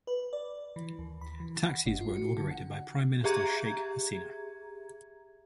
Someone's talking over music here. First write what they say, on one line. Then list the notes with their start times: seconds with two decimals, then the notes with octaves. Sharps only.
The taxis were inaugurated by Prime Minister Sheikh Hasina.
0.07 B4
0.33 D5
0.76 E3
0.99 D#2
1.21 B5
1.40 E3
1.64 F#5
1.86 G1
2.01 F4
2.16 F#4
2.37 D3
2.51 F#5
3.24 G4 G#4 E5 A#5 G#6